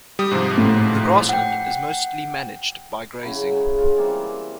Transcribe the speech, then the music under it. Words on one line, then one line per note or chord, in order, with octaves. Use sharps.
The grassland is mostly managed by grazing.
G3 G4 D#6
G#2 C3 F3
A2
F#5 G5
C#3 F#3 E4 B5
G#3 C#5
F4
E3 G3 A#3 C4